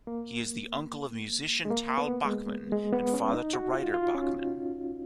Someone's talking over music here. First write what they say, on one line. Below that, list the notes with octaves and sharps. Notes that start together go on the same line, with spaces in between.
He is the uncle of musician Tal Bachman and father to Ryder Bachman.
A#3
G#3
A#3
B3
G#3
G#3
B3
C#4
D#4
F#4
F4
F4
C#4